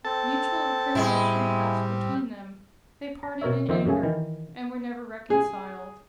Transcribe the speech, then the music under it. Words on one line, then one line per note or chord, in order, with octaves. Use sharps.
Mutual recrimination passed between them: they parted in anger, and were never reconciled.
C4 A4 A5
A2 G3 G#3 E4
A#5
B2 A#4 C#5 E5
F2 D#3 C5 E5
F#2 C#3 A3 G#4
D#3 E3
G#4